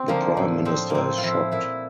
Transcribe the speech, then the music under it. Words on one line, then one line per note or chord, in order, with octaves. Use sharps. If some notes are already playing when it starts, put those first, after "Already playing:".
The Prime Minister is shocked.
Already playing: C4 G4
D3 F3 A#3
A2
F3 C4
A2 A#3 C4
F4
F3 E4
A#2 E4